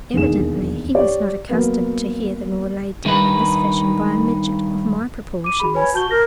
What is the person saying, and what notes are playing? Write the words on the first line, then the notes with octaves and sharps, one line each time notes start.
Evidently he was not accustomed to hear the law laid down in this fashion by a midget of my proportions.
E1 D#2 D4 G#4 E7
G4 C#5 D5
F#3 A#3 B3
G2 D#3 D#4 F#4 B4
D6 D#7
F#4 G#4 B5
B4 C#5 G#5 B5
F#4 A5 G6 G7
A#4 A#6